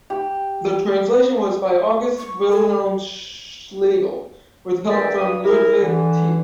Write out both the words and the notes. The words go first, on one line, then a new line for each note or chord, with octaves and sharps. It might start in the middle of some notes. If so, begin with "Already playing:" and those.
The translation was by August Wilhelm Schlegel, with help from Ludwig Tieck.
G4
C#6
G#4 A4
E2 D3 A#3 D5 E5 G5
G2 D#6
E4 A#4
D3 E3